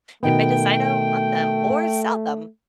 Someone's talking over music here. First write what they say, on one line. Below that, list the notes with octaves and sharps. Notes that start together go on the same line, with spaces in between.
if I decide I don't want them or sell them,
B2 D#3 A3 B3 G5